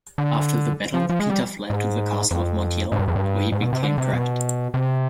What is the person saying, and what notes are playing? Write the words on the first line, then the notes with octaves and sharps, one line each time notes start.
After the battle, Peter fled to the castle of Montiel, where he became trapped.
D3
F3
F3
G#3
G3
G#2
F2
G#2
G2
F2
G2
G#2
B2
C3
D3
C3
B2
C3